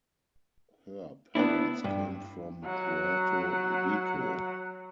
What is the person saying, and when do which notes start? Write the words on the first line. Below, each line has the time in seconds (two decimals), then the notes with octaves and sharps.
Her parents came from Puerto Rico.
1.35 B3 C4 D4 E4
1.84 G2
2.64 F#3 F#5